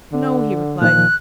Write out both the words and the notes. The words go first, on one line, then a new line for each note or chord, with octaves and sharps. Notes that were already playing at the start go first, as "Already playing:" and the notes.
"No," he replied.
D3
A#2 D#3 F3 F#6